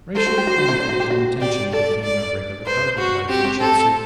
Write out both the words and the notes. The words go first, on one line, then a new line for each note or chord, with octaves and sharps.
Racial conflict and tension became a regular part of life in Chelsea.
A4 C5
F#4
G4
F#4
F#4
E4
D4
F#4
G4
F#4
G4 D5
A4 D5
D5
B4 C5
F#4
C4 G4
C4
C4 A4